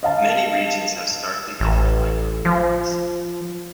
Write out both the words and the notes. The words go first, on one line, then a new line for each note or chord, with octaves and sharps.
Many regions have starkly different microclimates.
D#5 F5 A5
A1
F3